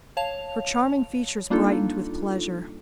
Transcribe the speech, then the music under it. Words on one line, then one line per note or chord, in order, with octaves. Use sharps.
Her charming features brightened with pleasure.
C#5 F5 A5 F7
G3 A#3 D4 D#4 F4 A4